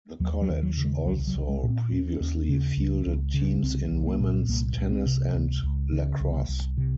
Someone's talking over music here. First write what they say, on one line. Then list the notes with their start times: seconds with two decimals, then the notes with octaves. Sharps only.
The college also previously fielded teams in women's tennis and lacrosse.
0.20 D#2 F#3
0.42 F#3
0.49 D#2
0.63 F#3
0.77 C#3
0.84 G#3
1.06 C2 F#3
1.27 F#3
1.35 C2
1.49 G#3
1.63 A#2
1.70 C4
1.91 D#2 C#4
2.21 D#2
2.49 C#3
2.77 C#2
3.06 C#2
3.34 C#3
3.63 C2 C4
3.91 C2
4.06 A#3
4.20 A#2
4.49 C2 A#3
4.77 C2
4.92 C4
5.06 C3
5.35 C#2
5.63 C#2
5.92 C#3
6.20 C2
6.49 C2
6.77 C3